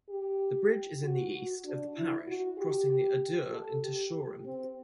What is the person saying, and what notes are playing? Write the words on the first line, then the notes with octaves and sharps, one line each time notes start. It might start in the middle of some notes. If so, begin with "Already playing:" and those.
The bridge is in the east of the parish, crossing the Adur into Shoreham.
G4
F#4
F#4
D4
E4
F#4
G4
A4
G4
G4
C4